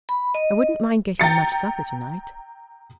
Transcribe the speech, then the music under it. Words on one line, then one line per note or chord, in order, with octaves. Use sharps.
I wouldn't mind getting much supper tonight.
B5
D#5
G5 A#5 A6 C#7